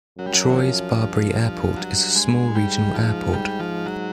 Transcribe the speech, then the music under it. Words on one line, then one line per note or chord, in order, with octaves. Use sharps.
Troyes - Barberey Airport is a small regional airport.
F#2 F#3
G3
F#3
E3
F3
G2
F#3
G#3
G#2 G3
F3
G3
F3
F#3